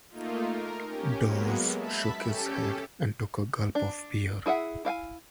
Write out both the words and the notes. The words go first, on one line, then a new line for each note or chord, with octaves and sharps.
Dawes shook his head, and took a gulp of beer.
A3 A#3 D#4 F4
A#4
C#4 G4
F#3 G#3 A#3 B3
E5 A5 B5 B6
C#4 G4 A4
D4
E4 G#4 E5 F#5
E4 F5 G5 G#5